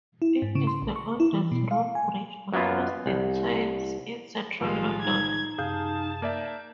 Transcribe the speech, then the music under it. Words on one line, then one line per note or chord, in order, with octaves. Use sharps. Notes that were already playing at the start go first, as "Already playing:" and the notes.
It is the oldest road bridge across the Thames in central London.
E4
G#2
C#3
C6
A#1
C#6
E4
E3
B2
F5
G#5
F#2 F#3 A#3 B3 F4
C2
B1 A2 D#3 F3 G3 G#3 F4
D#4 G#6
F#2 C3 G#4 F5 A5 G6
A#3 D5 E5 G6